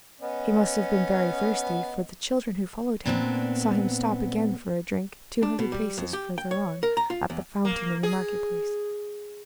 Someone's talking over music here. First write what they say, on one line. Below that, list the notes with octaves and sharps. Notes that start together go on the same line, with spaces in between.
He must have been very thirsty: for the children who followed him saw him stop again for a drink, two hundred paces further on, at the fountain in the market-place.
B3 C#4 D#5
A#2 B3 C4 D4 C#5 A5
D4
B2
G3
F2
G4
G5
C#5
A#4
A#5
F4
E2
A#3
G#4